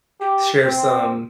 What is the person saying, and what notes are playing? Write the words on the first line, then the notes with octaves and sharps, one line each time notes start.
share some
G4
C4